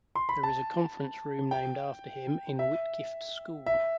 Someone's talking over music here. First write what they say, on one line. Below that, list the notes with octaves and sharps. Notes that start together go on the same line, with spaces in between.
There is a conference room named after him in Whitgift School.
C6
B5
A5
G5
E5
E5